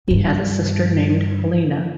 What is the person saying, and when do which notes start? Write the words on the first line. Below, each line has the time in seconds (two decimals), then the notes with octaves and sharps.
He had a sister named Helena.
0.08 G2 D#3